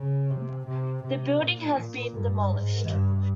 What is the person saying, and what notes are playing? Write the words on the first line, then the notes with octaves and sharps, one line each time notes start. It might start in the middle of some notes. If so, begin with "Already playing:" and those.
The building has been demolished.
Already playing: C#3
C3
C3
C3
A#2
G2
G#2
G2